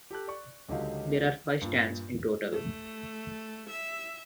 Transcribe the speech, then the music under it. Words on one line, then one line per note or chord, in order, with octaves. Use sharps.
There are five stands in total.
G4 A4 F#6
D5 C#6
C#2 D3 F#3 D#4 G4 F5
G2 A#2
A3
E5